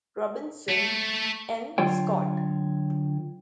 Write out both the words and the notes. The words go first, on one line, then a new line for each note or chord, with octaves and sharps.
Robinson, N. Scott.
A3
D3 F#3 F4 C#5 G5